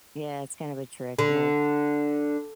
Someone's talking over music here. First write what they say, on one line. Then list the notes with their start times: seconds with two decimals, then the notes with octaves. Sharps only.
Yeah, it's kind of a trick, an old
1.19 D3